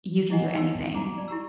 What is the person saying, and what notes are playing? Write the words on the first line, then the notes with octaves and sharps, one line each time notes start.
You can do anything,
E4 G#4 D#5 F#5 G#5
D#4 C6 E6
F#4 A5 A#5 D6
D5 A#5
E4 G4 A#5 E6